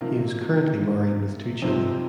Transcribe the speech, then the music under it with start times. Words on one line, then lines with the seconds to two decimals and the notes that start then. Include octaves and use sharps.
He is currently married with two children.
0.01 C3 F3 A#3 D#4
1.62 F2 C3 F3 C4 D#4